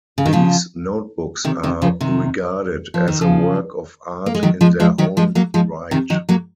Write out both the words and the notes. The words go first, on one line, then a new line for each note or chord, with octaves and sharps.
These notebooks are regarded as a work of art in their own right.
C#3
D#3
C#3 F3
C3 D#3
C3 D#3
C#3 F3
C3 D#3
F3
D#3
C#3 F3
A#3
G#3
D#3 F#3
F3 G#3
F3 G#3
D#3 F#3
F3 G#3
F#3 A#3
F3 G#3
C3 D#3
D#3 F#3
F#3 A#3